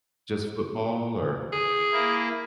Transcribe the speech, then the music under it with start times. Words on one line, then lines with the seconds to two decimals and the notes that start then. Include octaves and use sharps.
just football or
1.52 G#4
1.92 A#3 E4